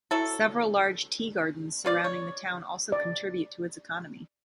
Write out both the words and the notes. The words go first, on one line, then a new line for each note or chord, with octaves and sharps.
Several large tea-gardens surrounding the town also contribute to its economy.
F#3 E4 A4
B3 F4 D5
C#5
D5